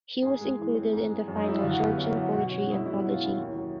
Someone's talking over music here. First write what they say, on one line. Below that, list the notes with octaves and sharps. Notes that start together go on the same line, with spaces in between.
He was included in the final "Georgian Poetry" anthology.
G#2 G#4
G#3
E3
C4
G#2
G#3
F#2
D#4
F#3 E4
F4
D3
F#4
B3 G4
F#2
F#3
B2 F#4
F#4
C#4
F#4
G#3 E4
B2 E4
B2 E4
F4
C#4
E4
D#2
F#3